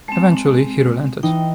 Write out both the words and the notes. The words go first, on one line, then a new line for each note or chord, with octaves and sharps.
Eventually he relented.
G#3 C4 A5
E3 D#4 G5